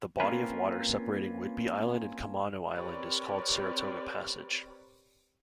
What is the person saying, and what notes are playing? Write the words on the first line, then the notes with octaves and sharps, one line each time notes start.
The body of water separating Whidbey Island and Camano Island is called Saratoga Passage.
A#3 C4 C#4 F4 A#4 B4
C4 G4 A#4 B4 C#5 D5